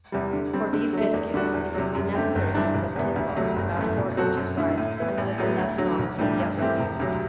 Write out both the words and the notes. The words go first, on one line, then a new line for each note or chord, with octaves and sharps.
For these biscuits it would be necessary to have a tin box about four inches wide and a little less long than the oven used.
E2 C3 G3
D3
G3 C4
D3
F#3 A3
E2
D3 G3 D4 F#4
E2
C3 F#3
F#2
D3 A3 C4 G4
G1
G2 E3 G3 D4
E1
E2 C3 E3 B3
D2
C3 F#3 A3
G1
F#2 E3 A3
B2
F#3 C4 F#4 A4
F#2
D3 A3 E4
A2
E3 B3 E4
A1
A2 F#3 B3
D2
D3 F#3
B1
A2 G3 D4 G4
G2
E3 A3 C4 G4
E1
D2 C3 F#3